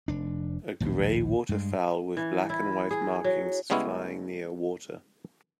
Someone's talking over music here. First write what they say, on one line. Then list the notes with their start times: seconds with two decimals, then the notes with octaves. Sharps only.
A gray water fowl with black and white markings is flying near water.
0.08 F1 D4
0.80 A#1 D#2 A2
1.49 G2 G#3
2.17 E3
2.50 E4
2.91 G#4
3.24 F#3
3.70 C#3 G3 G#3 B3 C#4 E4